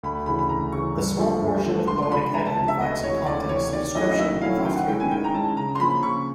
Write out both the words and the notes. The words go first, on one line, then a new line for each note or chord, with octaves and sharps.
A small portion of Poetic Edda provides some context and description of Vafthrudnir.
D2 B5
C#3 E3 B5
B5
D2 A#5
C#3 E3 C#6
G2
D3 F3 A3
G2
D3 F3 A3
C#2 C6
C6
C3 F3 B5
C#2 A#5
A5
C3 F3 A5
E5
D2 D#5
C3 E3 C#5
D2 D5
C3 E3 C#5
D#3 D5
F#3 A3 C#4 E4 D#5
D#5
D#3 E5
F#3 A3 C#4 E4 F5
D#3 G5
F#5
G#3 C#4 E4 G#4 G5
G#5
D#3 G5
A#5
G#3 C#4 E4 G#4 A5
C#3 A#5
C6
F3 A#3 C#4 B5
C#3 C#6